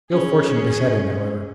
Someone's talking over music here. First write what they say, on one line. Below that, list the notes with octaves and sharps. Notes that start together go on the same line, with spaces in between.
Ill fortune beset him, however.
C#4 G#4